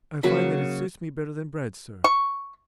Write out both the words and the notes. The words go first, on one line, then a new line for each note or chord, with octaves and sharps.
"I find that it suits me better than bread, sir."
C#3 F#3 A#3 B5
C#6